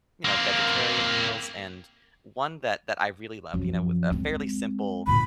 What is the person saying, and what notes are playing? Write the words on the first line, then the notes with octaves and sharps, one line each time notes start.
you know, vegetarian meals and one that that I really loved, you know, with a fairly simple,
A#3 C4
F#2 F3
G#3 C4
A#2 D3 B5